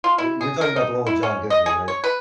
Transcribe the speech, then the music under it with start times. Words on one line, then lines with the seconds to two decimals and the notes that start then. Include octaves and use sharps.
y you're talking about the one with John Goodman, right?
0.04 F4
0.18 E4
0.41 G#4
0.61 A#4
0.76 D#4
1.07 E4
1.23 C#4
1.50 D#5
1.66 G#4
1.88 C#5
2.04 B4